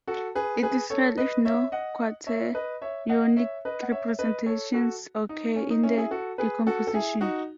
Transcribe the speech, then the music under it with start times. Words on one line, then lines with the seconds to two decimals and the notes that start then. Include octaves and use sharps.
It is real if no quaternionic representations occur in the decomposition.
0.07 F#4 A4
0.35 G#4 B4
0.63 G#4 B4
0.90 A4 C#5
1.17 B4 D#5
1.45 C#5 E5
1.72 D#5 F#5
2.27 C#5 E5
2.55 B4 D#5
2.82 C#5 E5
3.09 D#5 F#5
3.37 C#5 E5
3.65 B4 D#5
3.82 F#5
3.92 C#5 E5
4.19 B4 D#5
4.46 A4 C#5
4.74 F#4 A4
5.29 D#4
5.56 C#4
5.70 D#4
5.83 C#4 E4
5.97 E4 G#4
6.11 F#4 A4
6.38 G#4 B4
6.67 F#4 A4
6.87 A4
6.94 E4 G#4
7.21 D#4 F#4